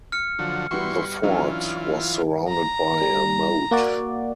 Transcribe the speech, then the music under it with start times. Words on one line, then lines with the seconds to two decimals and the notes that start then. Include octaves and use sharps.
The fort was surrounded by a moat.
0.12 F6 C#7
0.39 D3 F3 F#3
0.71 E3 G3 B3 F#4 C6 C#6
1.23 E3 F#3 C#4 D4 F4
2.49 A#5
3.02 G3
3.71 A#3 F#4 D5